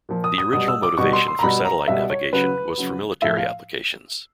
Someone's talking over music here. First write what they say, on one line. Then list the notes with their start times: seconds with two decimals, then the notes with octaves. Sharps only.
The original motivation for satellite navigation was for military applications.
0.09 A#2 F3
0.24 D#6
0.38 D#6
0.53 B2 G3 D#6
0.68 E6
0.83 D6
0.98 B2 G3 C#6
1.13 C6
1.28 C6
1.39 A#5
1.43 B2 G3 B5
1.65 A#5
1.88 B2 G3 E5
2.10 C#5
2.33 C#3 F#3 B4
2.78 C#3 F#3
3.22 A2 F3 E5
3.37 F5